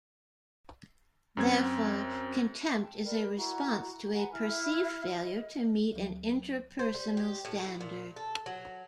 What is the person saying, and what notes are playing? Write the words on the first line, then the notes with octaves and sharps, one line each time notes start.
Therefore, contempt is a response to a perceived failure to meet an interpersonal standard.
F#2 C4 G#6
G5 A5
A#4 B4 D5
E4 F#4 A#5
B4 F#5 G#5 A#5
E4 E5 F6
D#5
D2 F#3
C5
G3
G4
A2
E4
A#2
A4
F#3